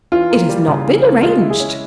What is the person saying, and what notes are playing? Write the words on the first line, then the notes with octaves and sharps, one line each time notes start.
"It has not been arranged."
E3 F4
A#3
G3
C#3
E3
A#3
G#3 F4
E4
G#4
C#4